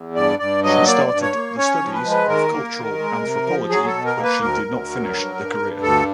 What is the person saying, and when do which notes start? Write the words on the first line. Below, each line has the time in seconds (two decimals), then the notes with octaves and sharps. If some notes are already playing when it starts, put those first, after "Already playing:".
She started the studies of cultural anthropology but she did not finish the career.
Already playing: E2
0.15 G2 D5
0.39 G2 D5
0.63 F#3 D#5
0.86 A#3 D5
1.10 G2
1.22 C#5
1.34 A#3
1.57 C#4 C#5
1.75 C#5
1.81 F3
1.93 B4
2.04 G#3
2.10 B4
2.28 D#3 A#4
2.51 A#3
2.75 D#3
2.99 G#3
3.22 C3
3.46 F3
3.69 F#3 G#4
3.87 A4
3.94 B2
4.05 A#4
4.17 A#3
4.23 B4
4.40 D2 A#4
4.64 D2
4.88 F#3
5.12 G2
5.36 G2
5.59 G2
5.82 D2 A4